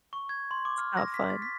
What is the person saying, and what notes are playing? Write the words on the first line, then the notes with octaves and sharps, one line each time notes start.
It's not fun.
C#6
G#6
C6
D6
F6
A#6
B6
A6
B6